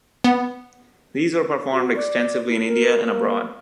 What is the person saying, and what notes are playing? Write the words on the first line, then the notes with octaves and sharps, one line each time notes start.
These were performed extensively in India and abroad.
B3
F#4
D5
E4
A#4
A#3